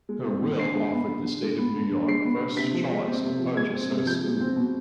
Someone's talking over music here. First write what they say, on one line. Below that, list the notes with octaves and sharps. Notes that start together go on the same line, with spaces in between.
Her will offered the State of New York first choice to purchase her school.
G#3
C4
D#3
D3 C7
G#3
B3
D3
D3
G#3
B3
D3
D3
G#3 C7
B3
D3
C3 B6
F3
G#3
C4
C3
F3
G#3 G#6
C4
C3
F3 G6
G#3
C4
B2